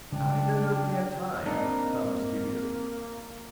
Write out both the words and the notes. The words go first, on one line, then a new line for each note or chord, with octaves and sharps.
"I don't know if we have time." Tom was dubious.
C#3 G3 G#3 D4 G5
A#3 C4 D4 D#4 D#5